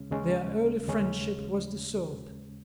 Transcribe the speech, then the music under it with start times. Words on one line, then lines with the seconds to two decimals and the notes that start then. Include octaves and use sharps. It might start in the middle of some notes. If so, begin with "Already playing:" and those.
Their early friendship was dissolved.
Already playing: D#2 C#3 G#3 C#4
0.11 D#2 C#3 G#3 C#4
0.88 D#2 C#3 G#3 C#4